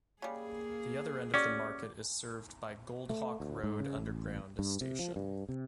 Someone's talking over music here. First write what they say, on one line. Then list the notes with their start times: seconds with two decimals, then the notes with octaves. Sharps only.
The other end of the market is served by Goldhawk Road Underground station.
0.22 C#3 G3 A#3 G#4
1.34 C#4 F#4 G4 D5
3.10 A3
3.40 D2
3.64 G#2
3.80 C#3
3.97 A1
4.59 G2
4.81 C3
4.99 F3
5.16 G2
5.49 C3